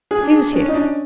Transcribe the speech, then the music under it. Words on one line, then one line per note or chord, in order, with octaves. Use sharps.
"Who's here?"
G#4
D4
G#4
C#4 D4
D#4
D4